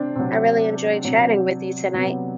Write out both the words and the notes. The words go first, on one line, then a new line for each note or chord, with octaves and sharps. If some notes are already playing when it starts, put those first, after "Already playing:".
I really enjoyed chatting with you tonight.
Already playing: C3 C4 D4
C3 F#3 C4
C3 F#3
C3 F#3 B3